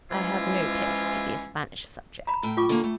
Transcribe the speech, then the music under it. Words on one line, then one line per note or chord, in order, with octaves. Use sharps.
"I have no taste to be a Spanish subject."
E3 F3 G#3 C#4 E4 F4
A#5 B5
A2 G5
F4 C#6 D6
D3 A#3
A3